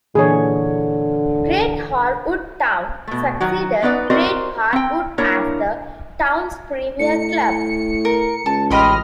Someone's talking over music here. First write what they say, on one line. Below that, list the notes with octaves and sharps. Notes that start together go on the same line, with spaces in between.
Great Harwood Town succeeded Great Harwood as the town's premier club.
A#2 D3 E3 G#4 C#5
B2 A3
D#3 F#3 F#4
B3 C#4 D#4 B4 D5 F#5
C4 F#4 A#4 C5 D5 D#5
C4 G5
A#3 D4 E4 A#4 C#5
A2 C#7
A#4
C#2 A5
A1 G4 D#5 B5 C6 F6